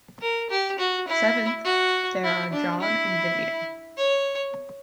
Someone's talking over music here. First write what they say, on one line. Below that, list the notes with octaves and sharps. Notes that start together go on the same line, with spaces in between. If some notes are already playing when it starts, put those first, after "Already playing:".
Seventh, there are John and Vivian.
A#4
G4
F#4
E4
F#4
E4
D4
E4
C#5